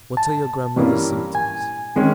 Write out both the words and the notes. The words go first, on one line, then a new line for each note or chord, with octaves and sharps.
"What are your grandmother's symptoms?"
A5
G2 E3 G3 A#3 C#4
G#5
D#3 G#3 C#4